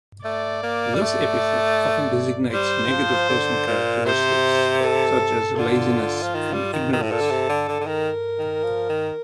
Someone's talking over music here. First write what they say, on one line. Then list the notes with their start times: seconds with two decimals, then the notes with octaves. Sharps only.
This epithet often designates negative personal characteristics, such as laziness and ignorance.
0.25 A3 D5
0.63 A#3
0.95 G3
1.01 A3
2.53 G3 C5
2.87 D#3
2.91 F3
3.29 D3
3.67 A#2
4.06 C3 C5
4.83 A4
5.59 D3 F4
6.23 F3
6.34 D#3
6.53 G3
6.73 D#3
6.93 D#3
7.02 A2
7.11 A#2 A4
7.21 D3
7.30 C3
7.49 D3
7.68 D3
7.80 D3
7.87 D#3 A#4
8.38 D#3
8.63 F3
8.89 D#3